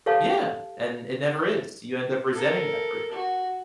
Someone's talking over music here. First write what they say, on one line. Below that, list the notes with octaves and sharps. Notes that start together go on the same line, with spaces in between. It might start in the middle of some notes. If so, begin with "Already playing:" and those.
Yeah, and it never is. You end up resenting that person.
G4 A4 C#5 F5 A5
A4 A#4
F#4